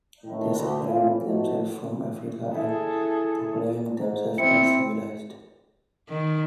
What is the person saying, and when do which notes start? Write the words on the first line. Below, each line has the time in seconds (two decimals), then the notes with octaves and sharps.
They separated themselves from Africa and proclaimed themselves as civilized.
0.24 A2 D#3
0.55 D2
0.85 A2 E3 A3 C4 F4
1.24 F3 A3 B3 D#4 E4 F#4
2.54 E4 G#4 A4
4.00 G#2
4.38 C4 E4 C#7
6.09 D#3